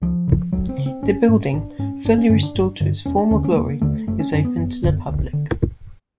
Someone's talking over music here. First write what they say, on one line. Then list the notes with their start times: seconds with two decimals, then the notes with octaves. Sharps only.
The building, fully restored to its former glory, is open to the public.
0.02 C#2 F3
0.28 C#3
0.53 C#2 F#3
0.69 C4
0.78 C#3
0.86 C4
1.03 G#1 C#4
1.29 G#2
1.53 G#1 D4
1.79 G#2 C#4
2.05 G1 D4
2.18 C#4
2.29 G2 D3 C#4
2.43 D4
2.55 G1
2.80 G2 D3
3.06 E1 C#4
3.18 D4
3.31 D#2 D3 C#4
3.45 C#4
3.52 A3
3.56 E1 A#3
3.82 D#2 D3 A3
4.07 F#1 A3
4.20 C#4
4.32 F#2 D3 C#4
4.45 B3
4.57 F#1
4.83 F#2 D3
5.09 D2
5.33 D3